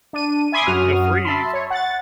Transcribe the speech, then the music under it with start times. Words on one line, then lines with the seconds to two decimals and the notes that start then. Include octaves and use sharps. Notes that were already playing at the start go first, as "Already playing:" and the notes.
you’ll you'll freeze.
0.13 D4 D#7
0.52 E5 G#5 B5 C6 D6 D#6
0.67 F#2 F#4 D#6 F6
1.25 E5 A5 B5 C6
1.54 C#5
1.71 F#5 A6